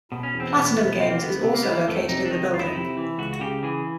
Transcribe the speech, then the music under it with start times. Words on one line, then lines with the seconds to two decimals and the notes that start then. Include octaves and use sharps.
PlatinumGames is also located in the building.
0.12 B2
0.23 C#4
0.34 E2
0.40 C4
0.55 B2 B3
0.77 B2 B3
0.99 B1 C4
1.10 A#3
1.22 D2 B3
1.43 C3
1.54 A#3
1.63 E3 B3
1.72 A#3
1.87 F2 A3
2.09 C3 D#4
2.25 D4
2.31 D#3 D#4
2.53 F2 F4
2.60 E4
2.67 D#4
2.74 C3 E4
2.97 E3
3.18 C#2 F#4
3.33 F#4
3.40 C#3 G4
3.63 E3 G#4